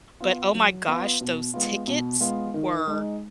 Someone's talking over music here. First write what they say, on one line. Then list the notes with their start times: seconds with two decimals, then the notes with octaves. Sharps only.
but oh my gosh, those tickets were
0.20 B3 F4
0.54 F#3
0.87 B3 F4
1.21 B2
1.54 G#3 B3 F4
1.88 B2
2.21 G#3 B3 F4
2.54 D#3
2.87 G#3 D#4